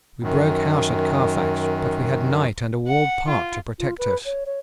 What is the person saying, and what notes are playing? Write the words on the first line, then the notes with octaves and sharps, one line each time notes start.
We broke house at Carfax, but we had night and a walled park to protect us.
F#2 D#3
F#5
F4
F4
B4
C#5
C#5